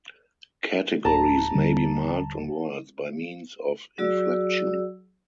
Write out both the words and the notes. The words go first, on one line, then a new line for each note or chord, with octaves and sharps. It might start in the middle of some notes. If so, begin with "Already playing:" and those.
Categories may be marked on words by means of inflection.
D1 A5 A#5
D#1 D3 G3
F#3 F#4 G#4 D5 E6